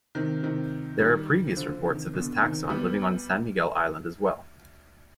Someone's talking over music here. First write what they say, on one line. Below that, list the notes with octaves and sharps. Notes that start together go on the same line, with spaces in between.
There are previous reports of this taxon living on San Miguel island as well.
C3 D#3
C3 D#3
D#3 G3
D3 F3
D3
C3 D#3
B2 D3
C3 D#3
G3 B3